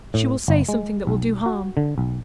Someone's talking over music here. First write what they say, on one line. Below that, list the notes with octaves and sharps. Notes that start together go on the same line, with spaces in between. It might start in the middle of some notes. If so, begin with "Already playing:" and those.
She will say something that will do harm.
A2
G1
G#3
B1
F#4
D3
B1